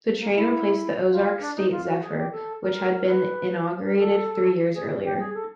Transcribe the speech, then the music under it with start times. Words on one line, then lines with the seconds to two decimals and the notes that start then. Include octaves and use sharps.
The train replaced the "Ozark State Zephyr", which had been inaugurated three years earlier.
0.19 A#3
0.35 E4
1.11 F4
1.40 D4
1.56 D#4
1.71 F4
1.86 F#4
2.01 G#4
2.17 G4
2.31 A4
2.62 A#4
2.92 A#4
3.07 B4
3.83 A#4
3.98 A4
4.74 G#4
5.04 G4
5.19 G#4
5.34 A4